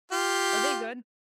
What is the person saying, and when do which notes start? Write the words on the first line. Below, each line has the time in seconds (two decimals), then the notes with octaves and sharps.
Are they good?
0.12 F4 G4